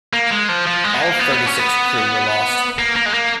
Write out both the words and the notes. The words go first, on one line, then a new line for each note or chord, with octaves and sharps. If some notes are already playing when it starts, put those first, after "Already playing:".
All thirty-six crew were lost.
A#3
G#3
F3
F3
G#3
B3
A#3
B3
B3
C#4
B3
A#3
A#3
G#3
A#3